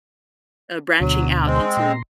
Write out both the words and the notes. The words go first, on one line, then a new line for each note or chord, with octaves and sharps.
uh, branching out into
D2 B2 D3 F#3
G#3 C4
A#2 A#5 C6